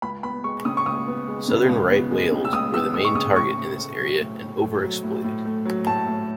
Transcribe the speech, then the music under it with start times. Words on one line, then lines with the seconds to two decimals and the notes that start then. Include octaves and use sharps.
Southern right whales were the main target in this area and over expoited.
0.02 C#2 B5
0.23 B3 B5
0.44 G#3 C#6
0.65 C#3 D#6
0.77 C#6
0.86 C#2 D#6
1.07 B3
1.27 G#3
1.48 C#3
1.69 C#2
1.90 B3
2.11 G#3
2.32 C#3
2.45 E6
2.53 C#2 D#6
2.74 B3 E6
2.94 G#3 D#6
3.05 C#6
3.15 C#3 D#6
3.36 A2 C#6
3.57 A2
3.78 A3
3.99 F#3
4.20 A2
4.41 A2
4.62 A3
4.83 F#3
5.03 A2
5.24 A2
5.45 A3
5.65 F#3
5.86 A2 A5
6.07 A2